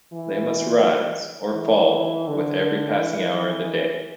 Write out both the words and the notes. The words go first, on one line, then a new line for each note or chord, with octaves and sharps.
They must rise or fall with every passing hour of the day.
E3
E3
D3
E3